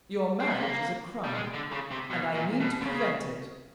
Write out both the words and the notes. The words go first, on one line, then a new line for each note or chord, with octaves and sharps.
"Your marriage is a crime--and I mean to prevent it."
C4
B3
A#3
G3
G#3
D3
C#3
C3
B2
A#2
B2
D3
C#3